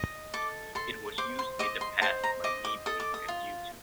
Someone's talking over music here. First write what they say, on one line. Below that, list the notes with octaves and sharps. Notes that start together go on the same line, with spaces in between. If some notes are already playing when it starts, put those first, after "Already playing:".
It was used in the past by Meebo and YouTube.
Already playing: D#5
A4 D6
A4 C6
C5 D6
C6
D#5 D6
C6
C5 A5
A#5
D#5 D6
D6
A4 D#6
D6
D#6
F4